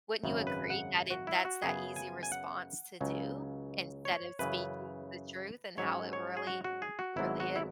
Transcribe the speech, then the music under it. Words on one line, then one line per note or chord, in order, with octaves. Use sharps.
Wouldn't you agree that it that's that easy response to do? Instead of speaking the truth, and how it really really is.
G#1 F#2 C#3
B4
F#5
F#4
E4
F#4
F#2 C#3 F#3 B3 G#4
G#5
G#5
F#5
C#2 C#3 F#3 C#4
C#5
F#2 C#3 E3 B4
G#2 F#3 C#4 C#5
C#5
G#4
F#4
F#4
G#4
F#4
G#1 G#2 F#3 B3 E4
F#4
E4